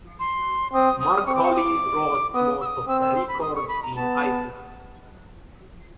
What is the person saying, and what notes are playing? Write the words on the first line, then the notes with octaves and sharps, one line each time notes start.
Mark Holley wrote most of the record in Iceland.
C6
C4 D#6
D#6
C4 C#6
D6
C#6
D#6
D6
B3 D#6
E6
D#6
C4 E6
E6
C6
B5
D#6
C#6
B5
A#5
B3 A5